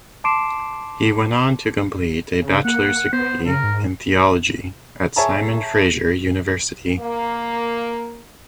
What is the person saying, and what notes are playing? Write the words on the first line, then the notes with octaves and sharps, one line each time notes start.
He went on to complete a Bachelor's degree in theology at Simon Fraser University.
A5 C6 D6 C7 D7 E7
C#3
A#3 F#5
B3 C5
C#3 A#4
G#2
G#4 C#5 E5 A5 A#5
A#3